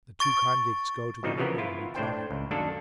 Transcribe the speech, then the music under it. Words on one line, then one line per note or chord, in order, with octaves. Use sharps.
The two convicts go to the window and reply.
C#6 A6 D7
B2 D3 F3 C4 D#4
C#3 E3 F3 B3 A#4
E4 F4
A2 D4 C5 G5
C#2
F#2 D#3 A#3 D4 A4